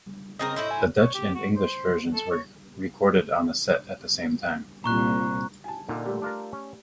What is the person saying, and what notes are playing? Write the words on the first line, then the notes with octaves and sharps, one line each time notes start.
The Dutch and English versions were recorded on the set at the same time.
C#3 C4 A#4 D#5
A2 E4 C5
G#5
C#5
G4
F#4
C5
A4
C#5
C2 A#2 A#5 C#6 F#6
G#5 A5
A#2 D3 D#4 A#4
G3 A3
D4 F4 A#4
C#4